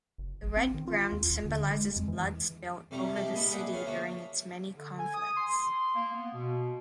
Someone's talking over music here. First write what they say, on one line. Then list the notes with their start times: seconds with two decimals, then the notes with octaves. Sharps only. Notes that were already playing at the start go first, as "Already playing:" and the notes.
The red ground symbolises blood split over the city during its many conflicts.
0.18 F#1
0.42 A#1
0.57 C4
0.74 D#3
0.88 F4
1.12 D#2
1.30 D#1
1.45 D3
1.71 G#3
1.97 F2
2.08 E3
2.91 F2 C3 G3 A3 E4 A#5
3.15 F3 G#3 D#4 E4 G4 A4
3.34 A#2 D#5 B5
3.50 G#4 B4 D5 E5 F#5
3.72 F4 G#4 B4 C#5
3.86 D3 A#3 F#4 E5 A#5
4.75 D3
4.98 G#5
5.14 D#6
5.36 C6
5.95 A#3
6.14 B3
6.33 B2